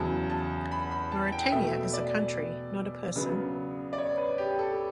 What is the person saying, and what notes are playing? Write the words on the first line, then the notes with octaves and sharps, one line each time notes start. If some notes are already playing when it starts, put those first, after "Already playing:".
Mauritania is a country, not a person.
Already playing: E2 C#3 F#3 A5
A5
B5
B5
A5
G5
B2 A3 E5
D5
C#3 F#3 B3
D5
C#5
B4
G4
A4